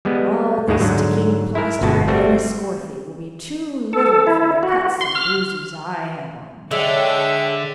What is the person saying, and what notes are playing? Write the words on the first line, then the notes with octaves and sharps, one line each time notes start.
All the sticking-plaster in Enniscorthy will be too little for the cuts and bruises I have on me.
G3 G#3 B3
D#2 A2 D#3 G#3 A#3
G#2 D3 F#3
E4 A#4
G1 B2 F#4 A5
G3 A3 C4 F#4
A4
E4
F#4
C6
F6
D3 G#3 A4 C#5 E5 G5